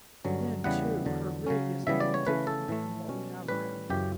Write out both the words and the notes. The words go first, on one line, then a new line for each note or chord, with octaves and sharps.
Then, too, her rig is a little different from what we have around here.
G2 D3 F#3 C#4
E2 C#3 E3 G3 B3 F#5
E2 D3 F#3
C#3 F#3 C#4
C#3 E3 G3 B3 E5
D5
C#5
C#3 E3 A3 C#4 B4
A4
A2 E3 A3
B2 G3 C#4
A2 G3 C#4 B4
F#2 C#3 E3 G4